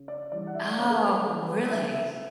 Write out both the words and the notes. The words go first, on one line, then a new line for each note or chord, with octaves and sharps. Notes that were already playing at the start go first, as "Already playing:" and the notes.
Oh, really?
Already playing: C#3
D5
E3 G3 D5
F#5
E5
C#3 C#5
A4
B4
E3 G3 A4
B4
A4
B4
C#3 E5
E5